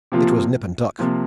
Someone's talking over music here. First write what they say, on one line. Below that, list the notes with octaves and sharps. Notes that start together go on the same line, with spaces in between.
It was nip and tuck.
C3 F3 A#3 F4
C3 F3 A#3 F4